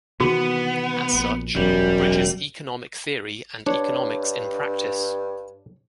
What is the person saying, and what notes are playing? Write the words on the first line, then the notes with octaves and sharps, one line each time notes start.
As such, it bridges economic theory and economics in practice.
C3 D#3 E3 B3 F#4
A#1 A#2
E1 B1 F#2 G3
G2 D4 C#5